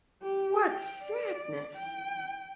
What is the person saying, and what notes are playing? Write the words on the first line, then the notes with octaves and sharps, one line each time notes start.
what sadness.
G4
G5
D5
G5